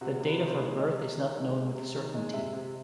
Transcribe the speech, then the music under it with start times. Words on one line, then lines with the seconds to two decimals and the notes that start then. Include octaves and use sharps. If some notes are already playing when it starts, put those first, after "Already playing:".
The date of her birth is not known with certainty.
0.01 C3 F#4
0.20 C3
0.27 B4
0.40 D#3 C5
0.52 B4
0.59 G#3
0.79 C3 D#5
0.98 C3
1.17 D#3
1.37 G#3
1.57 C3
1.75 C3
1.95 D#3
2.15 G#3
2.34 C3 E5
2.53 C3